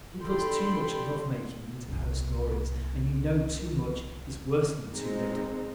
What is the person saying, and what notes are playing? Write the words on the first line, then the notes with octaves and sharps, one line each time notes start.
She puts too much lovemaking into her stories and you know too much is worse than too little.
D3 G4 A4 G5 B5 C6
C2 A#2
G#3 C4 D#4